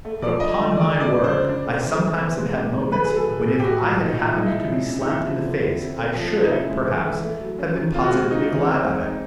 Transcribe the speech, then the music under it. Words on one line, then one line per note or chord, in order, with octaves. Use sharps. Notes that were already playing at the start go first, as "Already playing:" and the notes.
But upon my word I sometimes have had moments when if I had happened to be slapped in the face I should, perhaps, have been positively glad of it.
A3
F3 D5
D4 D#5
D3
G#3 D5
F3
D5
C#3
C5
C#3
D4
A3
E3
E3
B3
G#3
D4
D#3
A3 B4
G#4
F#3
A4
A2
G#4
A2
G4
A3 F#4
F3 F4
A#2 D#4
A#2 F4
E4
G#3 D#4
E4
F3
C#4
C3
D#4
A#3 E4
F3
D3
D3
C4
A3
F3
F3
D#4
C#4 E4
G#3
E3
E3
A3
F#3
C#4
D#3
C4 F4
F#4
G#3 F4
D#4
E3
C4
G#3
D#4